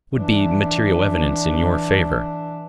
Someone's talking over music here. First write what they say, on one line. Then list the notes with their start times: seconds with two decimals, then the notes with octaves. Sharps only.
It would be material evidence in your favor.
0.15 E3 D4